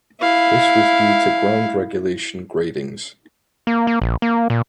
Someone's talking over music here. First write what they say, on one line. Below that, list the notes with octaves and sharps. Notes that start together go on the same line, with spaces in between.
This was due to ground regulation gradings.
E4 F5
A#3
A#3
A#1
A#3
A#2